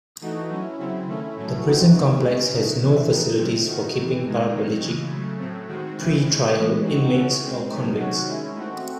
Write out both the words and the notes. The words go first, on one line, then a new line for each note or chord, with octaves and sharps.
The prison complex has no facilities for keeping paraplegic pre-trial inmates or convicts.
E3 A3 D#4 F#4
F#3 C#4 E4
C#3 F#3 C4 E4
D#3 A3 C#4 E4
A2 F#3 A3 C#4 E4
C3 E3 C4 D#4 F#4
C3 D#3 G#3 C#4 E4
C#3 G#3 C#4 E4
C#3 F#3 A3 D#4
C3 E3 C4 E4
E3 A3 D#4
C3 D#3 F#3 A3 C4
D#3 A3 D#4 F#4
A2 E3 C4
A2 G#3 D#4
D#3 F#3 C4 D#4
C#3 E3 G#3
C#3 F#3 A3
A2 F#3 A3 C4
D#3 G#3 C4 F#4
C#3 E3 C4 E4
C#3 G#3 C#4 E4
E3 G#3 C#4 E4
E3 C4 D#4 F#4
C#3 E3 A3 C#4 F#4
D#3 G#3 C4
D#3 F#3 A3 D#4
C3 D#3 F#3 C#4 F#4
D#3 G#3 C#4 E4
D#3 A3 C4 F#4